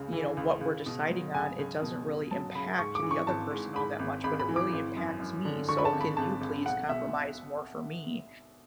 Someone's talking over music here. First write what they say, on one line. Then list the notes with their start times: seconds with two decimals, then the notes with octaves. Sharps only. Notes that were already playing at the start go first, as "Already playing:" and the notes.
you know, what we're deciding on, it doesn't really impact the other person all that much, but it really impacts me, so can you please compromise more for me,
Already playing: C#2 C#3
0.13 E3
0.37 C#2
0.61 C#2
0.86 B2
1.10 F#3
1.34 C#2 G#5
1.58 C#2
1.82 B2
2.06 C#2
2.31 F#3 A5
2.55 C#2 B5
2.78 G#2 C#6
2.95 D6
3.03 E3
3.11 C#6
3.27 G#1 A5
3.51 G#2
3.75 G#2 B5
3.99 G#1
4.24 G#1 B5
4.40 B5
4.49 E3
4.56 D6
4.73 G#1
4.97 F#2
5.20 F#2
5.45 D3
5.68 D3 C#6
5.78 B5
5.85 A5
5.93 G#1
6.01 B5
6.17 G#1 A5
6.41 G#1
6.66 B1 F#5
6.89 B2 E5